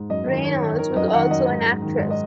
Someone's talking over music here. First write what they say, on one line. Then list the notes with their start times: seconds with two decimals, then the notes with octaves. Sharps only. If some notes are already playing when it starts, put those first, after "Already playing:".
Reynolds was also an actress.
Already playing: G#2
0.10 F#2 D#5
0.27 D#3
0.44 D#3 C#5
0.62 D#3
0.79 D#3 A#4
0.96 F#2 D#5
1.13 D#3 F#5
1.31 F#2 D#5
1.48 G#2
1.65 G#2
1.82 D#3
1.99 G#2
2.10 D#5